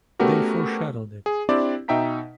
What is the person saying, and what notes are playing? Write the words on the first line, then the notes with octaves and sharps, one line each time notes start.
They foreshadowed it.
A3 B3 C#4 F#4 G4 A#4
G#4
C4 D4 E4 G4 D5
B2 D#4 E5 G5 A#5 B6